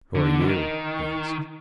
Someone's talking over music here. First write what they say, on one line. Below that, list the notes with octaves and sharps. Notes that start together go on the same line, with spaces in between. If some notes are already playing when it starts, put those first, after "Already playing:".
"Who are you?" he asked.
D3
E3
D#3